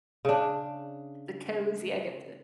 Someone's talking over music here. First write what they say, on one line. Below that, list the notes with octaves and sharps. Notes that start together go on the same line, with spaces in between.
The cozy. I get the
C#3 D4